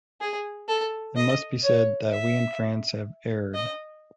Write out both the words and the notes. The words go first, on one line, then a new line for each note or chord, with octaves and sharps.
It must be said that we in France have erred.
G#4
A4
D#5
C#5
E5
D#5